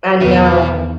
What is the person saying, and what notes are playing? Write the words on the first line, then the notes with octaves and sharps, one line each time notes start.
I know.
E2 B2 D#3 B4 C5 E5